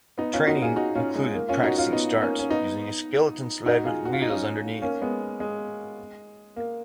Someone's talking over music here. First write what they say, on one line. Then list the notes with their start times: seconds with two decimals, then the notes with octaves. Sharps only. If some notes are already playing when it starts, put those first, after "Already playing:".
Training included practicing starts using a skeleton sled with wheels underneath.
0.18 B3 D#4
0.33 C#4 F4
0.47 D#4 F#4
0.62 F4 G#4
0.76 D#4 F#4
0.95 C#4 F4
1.16 G#3
1.34 A#3
1.49 C#4 F4
1.63 D#4 F#4
1.78 C#4 F4
1.92 B3 D#4
2.21 A#3 C#4
2.39 C#4
2.50 B3 D#4
3.66 D#4 F#4
3.85 F4 G#4
4.05 F#4
4.13 F4
4.22 D#4
4.30 C#4 F4
4.82 A#3 C#4
5.02 G#3 B3
5.40 G#3
6.56 A#3